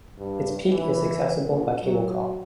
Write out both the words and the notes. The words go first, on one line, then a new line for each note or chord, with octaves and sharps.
Its peak is accessible by cablecar.
G2
E3
A#1
F#3